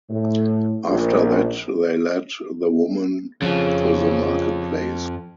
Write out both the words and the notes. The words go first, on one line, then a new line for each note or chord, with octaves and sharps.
After that, they led the woman to the marketplace.
A2
A#1
F2 C#3 F3